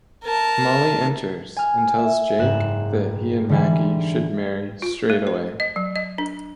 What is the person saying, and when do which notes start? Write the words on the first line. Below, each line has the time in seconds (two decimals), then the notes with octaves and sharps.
Molly enters and tells Jake that he and Maggie should marry straight away.
0.24 A#4 A5
1.56 G#5 F6
1.98 E5
2.38 F#1 G#2 F#6 E7
3.49 D3 E3 G3
4.82 F4
5.10 A3
5.27 C5
5.60 D#5
5.76 F#3
5.96 D#5
6.18 D4